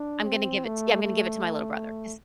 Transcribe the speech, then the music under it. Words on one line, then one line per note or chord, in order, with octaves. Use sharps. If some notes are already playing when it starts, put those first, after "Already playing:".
I'm gonna give it t yeah, I'm gonna give it to my little brother. His
Already playing: D4
C4
A3
A3